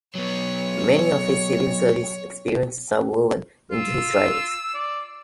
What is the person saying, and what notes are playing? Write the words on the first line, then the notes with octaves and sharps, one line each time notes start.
Many of his civil service experiences are woven into his writings.
F#3 B3 C#5
F4 E6
D5